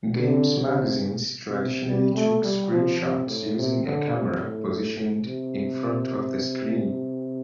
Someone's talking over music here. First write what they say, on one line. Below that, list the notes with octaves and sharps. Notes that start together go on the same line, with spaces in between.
Games magazines traditionally took screenshots using a camera positioned in front of the screen.
D3
C3
C3
G3
A3
G3
F3
C3
A2
C3
D3
C3
A2
C3